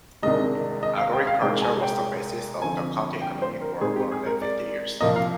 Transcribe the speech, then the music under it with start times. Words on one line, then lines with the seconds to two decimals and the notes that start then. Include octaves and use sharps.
Agriculture was the basis of the county economy for more than fifty years.
0.22 C2 C3 D#3 G#3 D4 D#5
0.83 D#5
0.98 F5
1.13 G5
1.27 F5
1.42 C2 A#2 G#3 D#4 G5
1.62 G#5
1.82 G5
2.62 D3 F3 C4 G#5
3.22 G5
3.42 C5
3.61 A#4
3.81 A#2 G#3 C4 D#4 G#4
3.96 G4
4.12 G#4
4.26 A#4
4.42 D5
5.01 C2 A#2 F3 A#3 D#5
5.16 F5